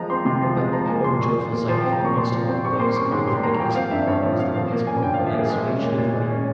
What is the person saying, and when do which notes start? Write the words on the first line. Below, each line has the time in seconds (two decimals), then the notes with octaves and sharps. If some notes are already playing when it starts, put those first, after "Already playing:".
But--oh, joyful sight!--foremost among those coming from the castle was the once mournful knight Sir Richard of the Lee.
Already playing: F3 G#3 A#5
0.10 C4 C6
0.25 C3 C6
0.42 F3
0.57 G#3
0.73 F3 A#5
0.89 A#3 G#5
1.04 A#2 C6
1.20 A#2 C#6
1.37 F3
1.53 A#3
1.68 F3 C6
1.81 G5
1.85 C4
1.92 A#5
2.01 A#2 C#6
2.16 A#2 C6
2.32 F3
2.48 C4
2.65 G3 C#6
2.79 A#3 C6
2.96 C#4 C#6
3.11 G#2 C6
3.27 G3 C6
3.43 A#3 A#5
3.59 F3 G5
3.75 C4 F5
3.91 G2 E5
4.07 G2 C#5
4.23 F3 E5
4.39 C4 F5
4.54 F3 F5
4.71 A#3
4.87 C#4 G#5
5.03 G2 G5
5.14 F5
5.19 F3
5.27 E5
5.34 A#3 G#4
5.50 G#3 E5
5.66 C#4
5.82 A#2
5.98 A#2
6.14 G#3
6.30 C#4